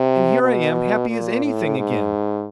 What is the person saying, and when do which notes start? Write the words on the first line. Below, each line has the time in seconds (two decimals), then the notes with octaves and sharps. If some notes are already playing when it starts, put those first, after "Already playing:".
And here I am happy as anything again.
Already playing: C3
0.42 B2
1.09 A#2
1.43 A2
1.77 G#2